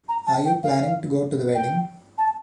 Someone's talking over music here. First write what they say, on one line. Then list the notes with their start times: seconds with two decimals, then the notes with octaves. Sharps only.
Are you planning to go to the wedding?
0.08 A#5
0.27 A5
0.45 G5
0.63 F5
1.55 G5
2.18 A5